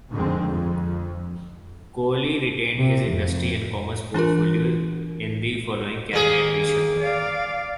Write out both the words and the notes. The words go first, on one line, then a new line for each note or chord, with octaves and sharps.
Colley retained his Industry and Commerce portfolio in the following cabinet reshuffle.
F2 G#2 D3 D#3 G#3 C4
F2
C3
F2
E3 D4 F4 A#4
D#2 A#3 G#4
D5 F5